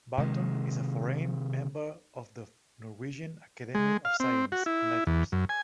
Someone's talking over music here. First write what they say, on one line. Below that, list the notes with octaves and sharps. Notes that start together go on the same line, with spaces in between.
Barton is a foreign member of the Norwegian Academy of Science and Letters.
C3 D#3 G#3
G#3
F5
C4
F#4
E4
E2
F#2
G#5